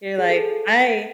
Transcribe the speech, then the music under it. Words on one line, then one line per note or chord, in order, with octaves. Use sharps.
You're like, "I
G#4
A4